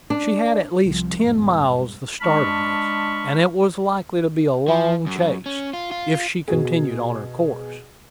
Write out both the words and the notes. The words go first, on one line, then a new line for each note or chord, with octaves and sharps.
She had, at least, ten miles the start of us, and it was likely to be a long chase, if she continued on her course.
D4
C2 C3 F3
G1 E2 G#2 B2
G#3 D4 A5 B5 C#6 F6
F3
F#2
C#4
F4
F4
B2 F#4 G#4